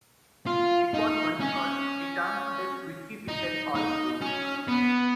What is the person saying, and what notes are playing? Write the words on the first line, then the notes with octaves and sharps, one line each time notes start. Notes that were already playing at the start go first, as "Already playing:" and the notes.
It was once called ...the town that whisky built and oil broke.
F4
D#4
C#4
D#4
D#4
C#4
B3